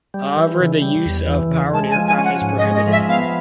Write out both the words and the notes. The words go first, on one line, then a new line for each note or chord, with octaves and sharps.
However, the use of powered aircraft is prohibited.
G3
E3
C#3
G3
E2
E3
C#3
G#3 A5
G#5
F3
G#5
C#4
F#5
G#2
D#5
G#3
D#5
F3 E5
B3 F5